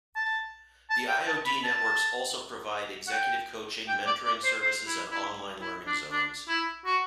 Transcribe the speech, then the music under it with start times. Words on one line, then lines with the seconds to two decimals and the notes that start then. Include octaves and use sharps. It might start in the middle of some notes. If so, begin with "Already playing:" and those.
The IoD networks also provide executive coaching, mentoring services and online learning zones.
0.16 A5
0.90 A5
1.08 G5
1.27 A5
1.45 B5
1.64 A5
3.07 F#5
3.13 G5
3.88 G5
4.06 D5
4.25 D5
4.44 C5
4.62 C5
4.87 E4
5.11 E4
5.61 E4
5.86 D4
6.11 D4
6.48 E4
6.85 F#4